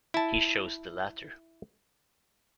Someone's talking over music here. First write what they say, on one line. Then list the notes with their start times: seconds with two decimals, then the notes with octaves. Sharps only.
He chose the latter.
0.14 E4 A5